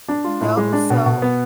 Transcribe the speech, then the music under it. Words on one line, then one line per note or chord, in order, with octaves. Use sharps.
No, so
D4
F4
A2
G#3
D4
B2
B2
B3